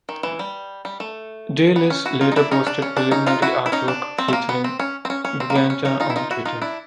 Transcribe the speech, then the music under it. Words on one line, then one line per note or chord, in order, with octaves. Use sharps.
De Liz later posted preliminary artwork featuring Giganta on Twitter.
D#3
E3
G3
G3
A3
B3
C#4
E4 F#4
D#4 F4
D#4
D4 E4
C#4 D#4
D4
C#4
D4
C#4 D#4
D#4 F4
E4 F#4
E4
C#4 D#4
D4
C4
A3
A#3
B3
C4
C#4
C4
C#4
C#4
C4
A#3
B3
C#4
C#4 D#4
D#4 F4
E4
D#4 F4
E4 F#4
D#4 F4
D4 E4